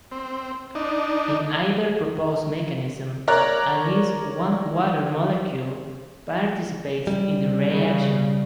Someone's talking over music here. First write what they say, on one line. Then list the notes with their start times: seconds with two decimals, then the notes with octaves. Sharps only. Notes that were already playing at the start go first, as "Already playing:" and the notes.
In either proposed mechanism, at least one water molecule participates in the reaction.
0.12 C4
0.75 D4 D#4
3.28 A#4 C#5 D5 A#5 F#6
7.07 G3
7.68 C#3